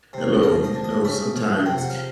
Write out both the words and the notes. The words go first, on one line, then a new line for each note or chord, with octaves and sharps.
Hello, you know, sometimes,
C3
F3 D#5
D#5
D4
D#5
C#3 E5
F3
C3 G5
F#5
F5